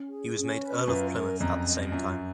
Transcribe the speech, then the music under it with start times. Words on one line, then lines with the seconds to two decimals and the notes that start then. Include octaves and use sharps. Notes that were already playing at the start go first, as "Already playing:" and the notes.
He was made Earl of Plymouth at the same time.
Already playing: C#4
0.09 G#4
0.36 C#4
0.61 B4
0.88 F#2 F4
1.14 A#4
1.40 F2 A#5
1.66 D#5
1.92 F#2 F4